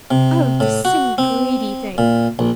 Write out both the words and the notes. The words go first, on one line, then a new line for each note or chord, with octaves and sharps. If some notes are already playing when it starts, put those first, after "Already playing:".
Oh, the silly, greedy thing!
C3
A2
F#4
C4
A#2
A#1